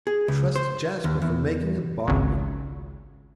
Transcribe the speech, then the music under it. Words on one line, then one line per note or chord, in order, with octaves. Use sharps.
Trust Jasper for making a bargain!
G#4
C#2
C5
D#2
E2
G#1 C#2